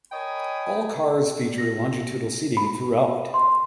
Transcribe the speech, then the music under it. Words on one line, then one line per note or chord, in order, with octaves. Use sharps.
All cars feature longitudinal seating throughout.
A#4 C#5 D#5 G5 G#5 B5
A#6
B5
C6